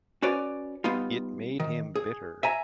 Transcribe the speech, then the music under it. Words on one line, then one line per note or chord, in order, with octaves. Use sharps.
It made him bitter.
C#4 F#4 B4 C#5 D5
G3 B3 D#4 F4
D#3
G#4
E5 G#5 A#5